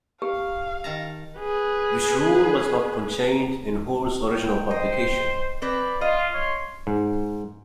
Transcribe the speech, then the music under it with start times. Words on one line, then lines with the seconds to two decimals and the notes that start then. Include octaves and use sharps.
This rule was not contained in Hoare's original publication.
0.22 G4 F5
0.84 D#3 A5 A#5
1.39 G#4 B4
4.32 G5
4.71 C5 D#5
5.62 C4 B4 D5
6.01 F4 D#5 F5
6.34 C#5 C6
6.87 G#2